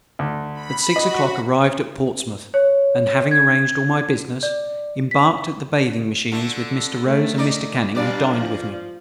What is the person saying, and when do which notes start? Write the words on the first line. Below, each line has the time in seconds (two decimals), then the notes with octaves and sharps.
At six o'clock arrived at Portsmouth; and having arranged all my business, embarked at the bathing-machines with Mr. ROSE and Mr. CANNING, who dined with me.
0.19 D2
0.54 B5
0.96 F#4 D#5
2.54 C#5
3.31 G#6
4.43 D5
5.11 B6
6.32 D3 A3
7.05 D#3 A3
7.38 D#4 D5
7.95 G2 G3 D4 D5
8.30 F3